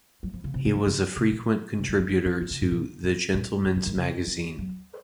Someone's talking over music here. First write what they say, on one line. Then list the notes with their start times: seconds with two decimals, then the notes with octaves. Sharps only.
He was a frequent contributor to "The Gentleman's Magazine".
0.23 F#3
0.33 F3
0.44 C#3
0.54 C3
0.65 C3
0.75 F3
0.86 C#3
1.16 C3
1.32 A#2
1.78 C3
1.88 F#3
1.99 F3
2.10 D#3
2.25 C4
2.41 C4
2.51 C#3
2.61 G#2
2.71 A#2
3.03 A#2
3.34 A#2
3.64 G#2
3.76 F#2
3.86 F#2
3.96 C#3
4.27 D#3
4.58 F#3